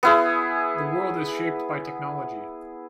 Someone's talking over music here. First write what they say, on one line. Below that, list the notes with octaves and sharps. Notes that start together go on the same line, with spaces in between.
The world is shaped by technology.
B3 E4 G#4